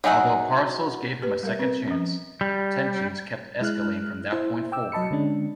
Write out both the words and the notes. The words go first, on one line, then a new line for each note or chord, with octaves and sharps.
Although Parcells gave him a second chance, tensions kept escalating from that point forward.
F#3 D#4 G#4 E5 F#5
G4 B4
G3 A#4 E5
C4 B4
F3 C#4
G3
G#3 E4 F6 F#6
E4 C5 E5
G5 D6 E6
F#3 D#5 A5 B5 C#7
D3 G#3 C#4 D4